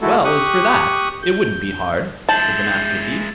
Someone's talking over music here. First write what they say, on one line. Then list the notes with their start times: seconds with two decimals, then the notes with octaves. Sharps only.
'Well, as for that, it wouldn't be hard', said the Master Thief.
0.01 G#3 A3 E4 F#4 A4
0.24 G4 C#6 D#6 F#6
1.23 G6
2.29 G#3 E4 A5 G6 A6 E7 F#7